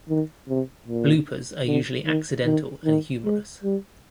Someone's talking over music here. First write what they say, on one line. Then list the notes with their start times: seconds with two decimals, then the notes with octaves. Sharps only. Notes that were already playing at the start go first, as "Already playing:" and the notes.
Bloopers are usually accidental and humorous.
0.09 D#3
0.48 C3
0.87 A#2
1.66 D3
2.06 D#3
2.45 D#3
2.85 D#3
3.25 G#3
3.64 G3